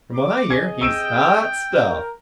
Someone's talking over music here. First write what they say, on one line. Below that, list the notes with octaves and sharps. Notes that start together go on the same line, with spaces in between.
"From what I hear, he's hot stuff!"
D6
C3 G#4 D#5 G#5 G#6
G5 E6 D7 E7
A#4